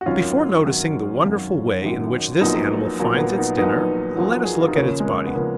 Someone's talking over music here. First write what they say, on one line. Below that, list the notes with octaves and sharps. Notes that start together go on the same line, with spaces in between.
Before noticing the wonderful way in which this animal finds its dinner, let us look at its body.
F#4
G#1 F#2 D#3 F#3 C#4 F4
G#1 F#2 D#3 F#3
G#1 F#2 D#3 F#3
G#1 F#2 D#3 F#3
A#1 A#2 F#3 B3 D#4
A#1 A#2 F#3 A#3
B3
A#3
B3 D#4
A#1 A#2 F#3 B3 D#4
A#1 A#2 F#3
G#4
F#4
F4
D#4
D#2 C#3 F3 A#3 C#4
G#3
A#3
B3
C#3 F3 A#3